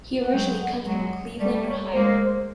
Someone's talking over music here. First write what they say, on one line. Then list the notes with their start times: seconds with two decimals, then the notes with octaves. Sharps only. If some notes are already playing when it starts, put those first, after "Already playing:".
He originally comes from Cleveland, Ohio.
0.20 F#5
0.32 F#3 G#3 G5
0.59 F#5
0.86 F#3 G#3
1.39 G3 A3 D5
1.66 C#5
1.88 C#5
1.93 G#3 A#3 C5
2.20 C5